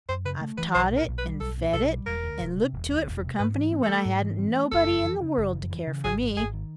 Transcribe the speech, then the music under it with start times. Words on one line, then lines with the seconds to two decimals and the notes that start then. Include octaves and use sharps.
I've taught it, and fed it, and looked to it for company when I hadn't nobody in the world to care for me.
0.09 F#2 C5
0.25 C#3 B4
0.41 A3
0.57 E3 B4
0.75 B1 C5
0.91 A#2
0.97 A#4
1.07 B1
1.18 B4
1.24 G3
1.40 B1 A4
1.57 A#2
1.73 B1 A4
1.90 G3
2.06 E1 A#4
2.24 D2
2.39 E1
2.57 C3
2.73 E1
2.90 D2
3.06 E1
3.23 C3
3.39 G#2 B4
3.56 E3
3.72 C4
3.83 A4
3.88 A3
4.05 G#2
4.22 E3
4.39 C4
4.55 A3
4.72 F#1 A4
4.88 F2
5.05 E3
5.21 C#3
5.37 F#1
5.54 F2
5.71 E3
5.87 C#3
6.04 G#1 G#4
6.20 F#2
6.37 G#1 G#4
6.54 D#3